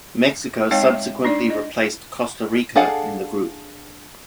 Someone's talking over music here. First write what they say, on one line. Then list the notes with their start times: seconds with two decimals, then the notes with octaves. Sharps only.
Mexico subsequently replaced Costa Rica in the group.
0.71 G#3 C4 D#4 C#5 F5 G5
0.82 E5
1.25 D4 D#4 D5
1.50 D#5
2.75 D4 G#4 A4 F5 F#5